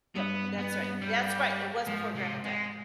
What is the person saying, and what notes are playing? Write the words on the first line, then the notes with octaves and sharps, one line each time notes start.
Yep, that's right. That's right, it was before Grandpa died.
G2 B3
B3
G3
G#2 F3
C3
G#3